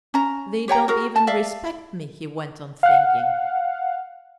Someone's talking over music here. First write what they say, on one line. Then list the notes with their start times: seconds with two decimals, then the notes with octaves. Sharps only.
"They don't even respect me," he went on, thinking.
0.14 C#4 A#5
0.68 G4 C#5 G5 A#5
0.88 F#4 G#4 A#4
1.16 A5
1.27 D5 E5 F5
2.83 F5 F#5